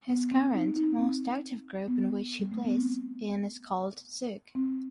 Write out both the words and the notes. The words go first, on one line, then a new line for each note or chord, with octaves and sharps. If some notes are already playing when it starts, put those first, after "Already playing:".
His current, most active group in which he plays in is called Zook.
B3
C4
D#4
D#4
C4
B3
G3
A3
B3
C4
C4